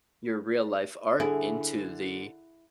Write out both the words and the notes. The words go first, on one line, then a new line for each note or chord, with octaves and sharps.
your real-life art into the,
D3 E4 G#4